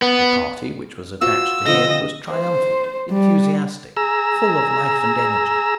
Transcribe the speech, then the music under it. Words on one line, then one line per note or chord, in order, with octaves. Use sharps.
The party which was attached to him was triumphant, enthusiastic, full of life and energy.
B3
F4 F#4 C5 E6
D3 F3 C4 D#5 A#6
C5
G3
G#4 A#5 E6